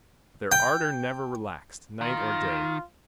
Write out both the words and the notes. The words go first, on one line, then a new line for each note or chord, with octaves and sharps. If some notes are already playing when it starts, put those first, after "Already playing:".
But their ardor never relaxed, night or day.
G5
D#3 F4